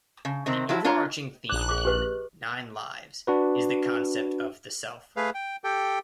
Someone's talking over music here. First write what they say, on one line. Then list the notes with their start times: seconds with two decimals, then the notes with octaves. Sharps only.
The overarching theme in "Nine Lives" is the concept of the self.
0.25 C#3
0.46 C3 D#3 C4
0.69 F3 F#3 E4
0.84 D4 F4 C#5 A#5
1.49 A#1 D5 D6 F#6
1.69 G#4 D6
1.85 G4 B4 D#5
3.27 D4 F#4 B4
5.17 A3 G#4 B4 F5
5.35 G5
5.64 G4 A4 G5